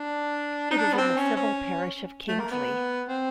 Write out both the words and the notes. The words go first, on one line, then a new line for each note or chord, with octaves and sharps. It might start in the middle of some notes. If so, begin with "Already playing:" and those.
It is in the civil parish of Kingsey.
Already playing: D4
D#4
D4
B3
C4
C#4
C#4
A3
A#3
B3
C4